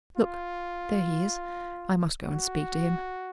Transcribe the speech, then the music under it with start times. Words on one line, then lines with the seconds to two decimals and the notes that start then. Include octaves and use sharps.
Look--there he is--I must go and speak to him.
0.16 F4
2.24 F#4